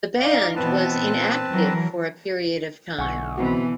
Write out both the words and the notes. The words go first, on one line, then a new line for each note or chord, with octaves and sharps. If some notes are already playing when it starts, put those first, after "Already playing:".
The band was inactive for a period of time.
D#4 D5 F5
B2 E3 B3 C4 B4 A5
A#2
E3 F#3 A#4
B1 D3 E4 F#5 G#5 C#6
B2 E3 B3 C4 F#4 A5